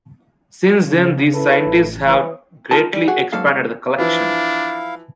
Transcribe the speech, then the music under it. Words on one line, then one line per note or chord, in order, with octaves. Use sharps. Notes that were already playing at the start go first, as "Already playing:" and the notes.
Since then these scientists have greatly expanded the collection.
C#3
E4 A4 B4
A1
E3
D#4 F4 A#4 A5
G3
F#4 G#4 F#5
G#2 F#3 A#3 A4 F5
C#2
E3 F3 D4 E4 F5